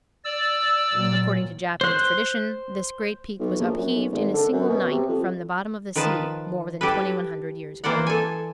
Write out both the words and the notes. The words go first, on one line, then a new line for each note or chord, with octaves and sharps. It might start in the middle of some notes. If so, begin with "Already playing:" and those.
According to Japanese tradition this great peak was upheaved in a single night from the bottom of the sea, more than twenty-one hundred years ago.
D5 E6
A#2 F#3
C5 F#6
B1
A#1
F#2
B1
G#1
D3
F#2
B2
C3
F2
D#3 F3 B4 A5
E4 G4 A4 B4
E3 A#3 C5 D5 F#5
A4 G#5